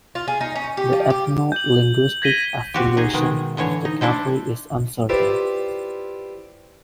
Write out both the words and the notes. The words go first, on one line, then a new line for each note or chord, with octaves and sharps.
The ethno-linguistic affiliation of the Carpi is uncertain.
F4
G#4
D#4
C#4
G4
F3
G4
G6 F#7
G#6 A#6 B6 D#7 G7
C4 F#4 G4
D#4 G#4
B2 D#3 G#3
A2 D3 E3 C#5
D#4
D4 E4 A4 C5
E4 F4 G4 B4 C5 D5